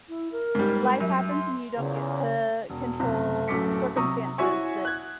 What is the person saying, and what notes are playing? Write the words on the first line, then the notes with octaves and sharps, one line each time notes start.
Life happens, and you don't get to control circumstances that
E4
A#4
G#2 G3
F#2 E5
C6
E2 A#2 C#3
E1
F#1 C3
D1 F#2 A3 D6 B6 C#7
C3 F#3 A#5 C#6 D#6 E6
E4 F#4 C#5 E5 G#5 C#6
F#6 G#6